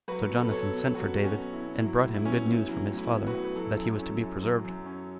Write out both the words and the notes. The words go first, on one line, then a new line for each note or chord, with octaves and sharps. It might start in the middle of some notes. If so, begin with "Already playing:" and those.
So Jonathan sent for David, and brought him good news from his father, that he was to be preserved.
F#3 F#4 B4
B2
A4
B4
B3 A4 C#5
B2
F#3 F#4 B4
B2
C#4 F#4
B3
E4
B2
F#3 E4
A2
E4
B3 C#4
A2
F#3 E4
A2
E4
B3
F#4 B4
A2
B4
F#3 E4 A4
F#2
C#4
F#2
F#3
F#2
C#4